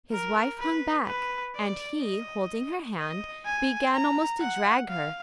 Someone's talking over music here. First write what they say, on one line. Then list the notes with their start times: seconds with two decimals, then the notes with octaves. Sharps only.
His wife hung back, and he, holding her hand, began almost to drag her.
0.12 A#4
0.60 B4
1.07 B4
1.56 D5
2.02 D#5
2.99 D#5
3.46 G#5
3.94 A#5
4.41 F#5
4.90 F5